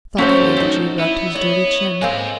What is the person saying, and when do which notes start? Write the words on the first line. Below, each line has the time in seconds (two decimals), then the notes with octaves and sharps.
Thoughtfully the Jew rubbed his dirty chin.
0.18 F#3 A3 C4 C#4 A4 C5 A#5
0.57 C4 D#4
1.00 B3 E4
1.35 C#5 D#5
2.02 G#3 A#3 C4 A4 B5